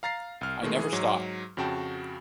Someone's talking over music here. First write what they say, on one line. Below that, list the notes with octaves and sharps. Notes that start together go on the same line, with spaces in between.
I never stop.
F5 A#5 A6 C7
C2 F6
B2 D#3 G#3 A3
E3 G#4
G#2 F#3
F2 C#3 F#4 G5 A5